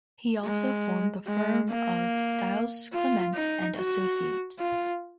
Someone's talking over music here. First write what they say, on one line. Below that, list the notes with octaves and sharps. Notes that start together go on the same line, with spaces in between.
He also formed the firm of Stiles Clements and Associates.
G#3
G#3
A#3
F4
D#4
F#4
F4